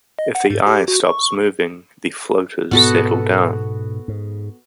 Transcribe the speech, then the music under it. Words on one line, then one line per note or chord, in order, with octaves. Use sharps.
If the eye stops moving, the floaters settle down.
D#5
F#5
G#2
G4
F#4
C#6
G#2 B2 B3 F#4 A4
G#2